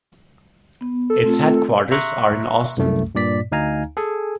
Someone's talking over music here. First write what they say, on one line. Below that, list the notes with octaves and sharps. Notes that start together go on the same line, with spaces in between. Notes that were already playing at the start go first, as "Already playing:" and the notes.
Its headquarters are in Austin.
B3
A4
A3 C4 F4
E5 A#5 C6 C#6 F#6
C2 F#2 A3
G2 A#2 D5 B6
D2 D#4 F5 G#5 A#5
G#4 A4 G#5